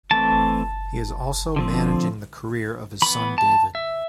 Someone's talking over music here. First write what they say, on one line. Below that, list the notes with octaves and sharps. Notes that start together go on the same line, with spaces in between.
He is also managing the career of his son David.
E3 A3 C4 A5
D3 F3 C4
E3 B3 B5
A5
E5